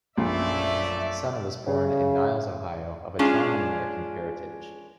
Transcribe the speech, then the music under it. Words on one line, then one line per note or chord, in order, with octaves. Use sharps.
Sena was born in Niles, Ohio of Italian-American heritage.
A#1 F#2 A3 D5 E5
C#3
G#3 C#4 D4 F4 G#4